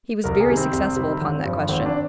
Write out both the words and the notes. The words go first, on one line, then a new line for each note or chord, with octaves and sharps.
He was very successful upon that question.
C2 A#4
G#4
C3 D#3 G3
C4
C2
C3 D#3 G3
G#1
G2 F3
G#1 C4
D4